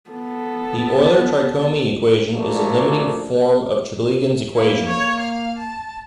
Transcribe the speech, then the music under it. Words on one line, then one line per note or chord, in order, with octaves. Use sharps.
The Euler-Tricomi equation is a limiting form of Chaplygin's equation.
B3 A4
A#1 A3 A#3 D4 F#4
A#3 E4
C#5
F5
A5